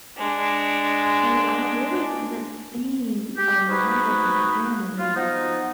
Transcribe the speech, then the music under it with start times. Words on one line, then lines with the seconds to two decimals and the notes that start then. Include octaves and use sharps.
so I really haven't seen a lot of my family
0.17 G#3 D4
3.37 G4
3.69 C4 D#4 F#4 G#4 B4
4.99 F4
5.16 F3 B3 D#4